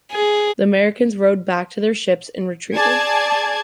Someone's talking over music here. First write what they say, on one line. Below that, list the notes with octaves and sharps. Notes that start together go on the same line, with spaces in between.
The Americans rowed back to their ships and retreated.
G#4
G#4 D5 A5 G#6